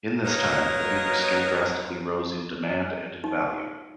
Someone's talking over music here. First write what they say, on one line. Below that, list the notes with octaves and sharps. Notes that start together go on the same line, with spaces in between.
In this time, the beaver skin drastically rose in demand and in value.
F#3 A#3 D#4 A#4 B4 C#5
D#4